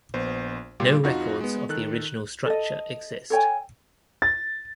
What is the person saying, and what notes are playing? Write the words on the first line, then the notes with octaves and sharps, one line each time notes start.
No records of the original structure exist.
A#1 B3 C5
A#2 G3 F4 G4
F2 D#4 F4 F#4
G#3 B3
D#3 A4 F#6
A4 D#5
A4 C#5 G5 G#5
A6